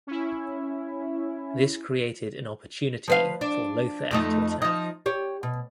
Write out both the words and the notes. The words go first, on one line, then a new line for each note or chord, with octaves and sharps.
This created an opportunity for Lothair to attack.
C#4 E4
F3 B4 F5
D4
F2 A3 D#4
F3 D#4
G4 C#5
B2